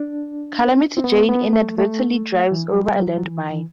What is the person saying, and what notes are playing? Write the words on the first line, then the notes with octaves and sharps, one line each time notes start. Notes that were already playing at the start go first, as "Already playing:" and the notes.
Calamity Jane inadvertently drives over a land mine.
Already playing: D4
C4
B3
B3
A3
A3
E3
F#3
G3
F#3
F#3
E3
E3